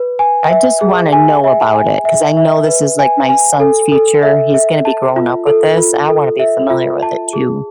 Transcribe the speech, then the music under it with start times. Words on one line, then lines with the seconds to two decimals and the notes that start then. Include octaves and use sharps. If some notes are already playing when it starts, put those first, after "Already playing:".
I just wanna know about it 'cause I know this is, like, my son's future. He's gonna be growing up with this, and I wanna be familiar with it too.
Already playing: B4
0.19 G#5
0.51 E5
0.81 G#4
1.12 G#5
1.44 E5
1.74 G#5
2.05 E5
2.37 E5
2.67 B4
2.99 G#5
3.29 G#5
3.60 A4
3.92 A4
4.23 E5
4.54 E5
4.85 A5
5.16 F4
5.47 A4
5.77 F4
6.09 A4
6.39 E5
6.70 F4
7.02 A5
7.33 G#4